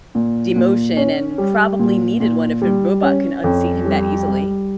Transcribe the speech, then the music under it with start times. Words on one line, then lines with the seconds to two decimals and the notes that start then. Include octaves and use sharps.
demotion and probably needed one if a robot can unseat him that easily.
0.15 A#2
0.56 A#2
0.97 C#4
1.38 G3
1.79 A#2
2.20 A#2
2.62 G3
3.02 C#4
3.44 F2
3.85 G3
4.26 G3